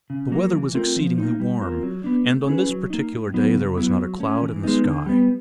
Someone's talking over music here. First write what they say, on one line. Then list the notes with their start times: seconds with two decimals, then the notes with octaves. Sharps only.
The weather was exceedingly warm, and on this particular day there was not a cloud in the sky.
0.10 C#3
0.32 F#3 A#3
0.53 E3
0.75 A3 C4 F4 A#4
0.96 F3
1.18 A#3 D#4
1.40 G3
1.61 C4 F4 A#4
1.83 F#3
2.04 B3 D4
2.25 A3
2.47 C#4 E4 G#4 B4
2.69 F#3
2.90 A#3 D#4
3.12 A2
3.34 F#3 B3 D#4
3.55 C#3
3.77 F#3 B3 E4
3.99 F#3
4.20 A3 C#4
4.42 E3
4.64 G#3 B3 D#4
4.85 D3
5.06 G3 B3